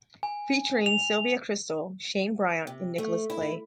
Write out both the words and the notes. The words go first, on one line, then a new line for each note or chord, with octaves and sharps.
Featuring Sylvia Kristel, Shane Briant and Nicholas Clay.
G#5
F7
C3
A3
E4